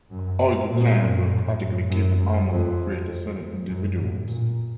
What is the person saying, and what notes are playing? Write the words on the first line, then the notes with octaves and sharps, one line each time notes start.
All these lands were practically given almost for free to certain individuals.
F#2
A#2
F#2
A2
F#2
F#2
F#2
F2
F#2
A2
A#2